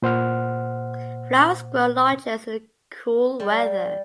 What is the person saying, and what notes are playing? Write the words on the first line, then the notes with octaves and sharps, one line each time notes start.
Flowers grow largest in the cool weather.
A#2 C5 F#5 F6
G3